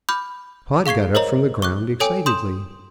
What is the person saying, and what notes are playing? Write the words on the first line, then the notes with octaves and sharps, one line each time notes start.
Pod got up from the ground excitedly.
B5 D6 F6 G6
G#4 F5 C#6 G#6 C7
A#4 C5 C#5 D#5 A#5 F#7
C#6 D6 F#6
A4 C#5 G5 G#5 D6 D7
C6 D#6 G6 E7